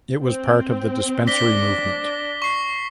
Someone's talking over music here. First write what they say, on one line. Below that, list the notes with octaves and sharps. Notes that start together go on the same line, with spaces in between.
It was part of the Dispensary Movement.
C4
D4 A#6 B6 G7
C#6 C7